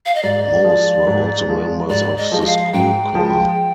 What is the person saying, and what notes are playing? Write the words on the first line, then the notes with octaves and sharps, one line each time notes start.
Most were also members of the school choir.
F5
D#5
G#2 D5
F3 G#3
G#2
F3 G#3
G#2 D5
D#5
F3 G#3
D#5
F5
G#2 G5
F3 G#3